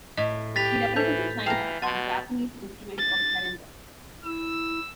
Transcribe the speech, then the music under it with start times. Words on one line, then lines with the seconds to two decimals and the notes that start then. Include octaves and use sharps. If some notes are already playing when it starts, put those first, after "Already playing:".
He represented China at the Japanese Instrument of Surrender.
0.17 A2 D#5
0.56 G4 B4 A6 B6 F7
0.96 E3 A4 C5 A5 G6
1.46 E3 F5 G5 A5 A#5
1.82 B2 F#5 A5 C6 A6
2.99 A6
4.24 E4 E6